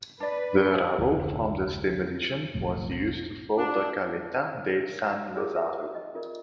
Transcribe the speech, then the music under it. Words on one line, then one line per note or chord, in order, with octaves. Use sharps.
The rubble from this demolition was used to fill the Caleta de San Lazaro.
D4 B4 D5
F1 D2
F1 B1 F2 A2
D4
E4 F4 G4 G#4 A#4 D6
E5
D#5
F4 A#4 D5